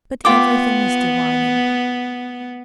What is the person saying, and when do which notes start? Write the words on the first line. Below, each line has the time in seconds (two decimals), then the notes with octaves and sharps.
But everything is divine in you....
0.25 B3 F4 G5 D6